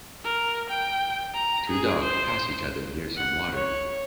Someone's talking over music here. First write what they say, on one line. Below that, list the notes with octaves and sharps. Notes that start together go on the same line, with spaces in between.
Two dogs pass each other near some water.
A#4
G5
A#5
G#4
C5
F#5
C#5